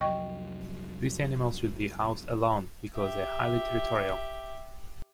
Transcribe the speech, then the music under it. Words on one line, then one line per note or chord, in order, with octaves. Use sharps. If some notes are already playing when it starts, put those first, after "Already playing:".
These animals should be housed alone, because they are highly territorial.
C2 F2 F#3 D#5 G5 C#6
G4 E5